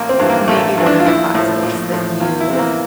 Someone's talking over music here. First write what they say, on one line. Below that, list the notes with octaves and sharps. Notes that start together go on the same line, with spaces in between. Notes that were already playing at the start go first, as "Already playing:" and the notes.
maybe one of the classes that you
Already playing: A1 A#3
C4
G2 E3
A#3
A1 A3
G2 E3
D4
F4
A#1 E4
A2 F3
A#1
A2 F3
E2 F4
E4
C3 E3
A#3